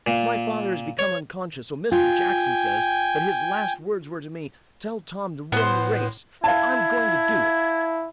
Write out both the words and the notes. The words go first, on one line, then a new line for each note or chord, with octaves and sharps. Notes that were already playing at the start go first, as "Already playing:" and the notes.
"My father has become unconscious, so Mr. Jackson says, but his last words were to me: 'Tell Tom to win the race!' And I'm going to do it!"
A#2
C#5
F4 G5 G#5
A2 B3 C5
E4 F5 A5 G#6